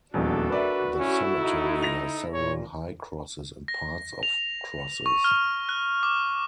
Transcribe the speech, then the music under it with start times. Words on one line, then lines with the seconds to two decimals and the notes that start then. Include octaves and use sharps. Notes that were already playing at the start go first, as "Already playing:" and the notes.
The cemetery has several high crosses and parts of crosses.
0.14 D#1 A#1 E2 D4 F#4 A4
0.50 A#4 B4 D5 E5
0.99 C#4 E4 A4
1.41 D#4
1.82 A#6 F7
2.32 A#2 C#5
3.68 A#6
4.23 F7
5.06 C#6
5.24 F6
5.69 F#6
6.03 D6